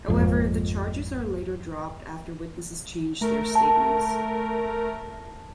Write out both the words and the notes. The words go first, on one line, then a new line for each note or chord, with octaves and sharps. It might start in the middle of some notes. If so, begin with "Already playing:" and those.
However the charges are later dropped after witnesses changed their statements.
G#1 F2
A3 A#4
A5